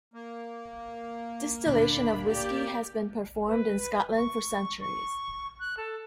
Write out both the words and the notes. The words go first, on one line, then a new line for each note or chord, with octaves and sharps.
Distillation of whisky has been performed in Scotland for centuries.
A#3
D2 A#2 D4 B5
G4 D5
B4
C#6
C#6
F#6
A4